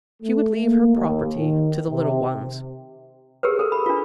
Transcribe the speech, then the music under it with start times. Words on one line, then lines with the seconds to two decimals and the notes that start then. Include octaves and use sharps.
She would leave her property to the little ones.
0.23 A3
0.56 A#3
0.96 D#2
1.37 D#3
1.90 C3
3.43 G4 G#4 A#4 B4
3.59 A4 A#4
3.72 B5
3.86 D4 F4